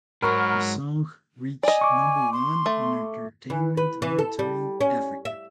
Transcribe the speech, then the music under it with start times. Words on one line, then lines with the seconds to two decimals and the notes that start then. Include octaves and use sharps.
The song reached number one on Entertainment Monitoring Africa.
0.22 G#2 F#3 A#4 B5 C#6 F6
1.63 D5 D#5 G#5
1.81 C#6 D6
2.33 C6
2.66 A3
3.50 E3
3.77 B4
4.02 E3
4.19 A4
4.39 G3
4.81 C#4
5.25 E5